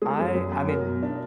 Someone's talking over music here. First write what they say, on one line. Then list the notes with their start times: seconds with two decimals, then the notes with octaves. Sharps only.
I I mean, w
0.02 G#3 G#4
0.19 F#2
0.35 F#2
0.52 F#2
0.68 F#3 A#4
0.85 B2
1.03 D4